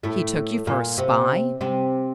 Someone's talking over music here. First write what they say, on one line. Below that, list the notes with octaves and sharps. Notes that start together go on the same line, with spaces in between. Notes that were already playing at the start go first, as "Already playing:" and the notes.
"He took you for a spy?"
A2 A3
A#2 A#3
C3 C4
C3 C4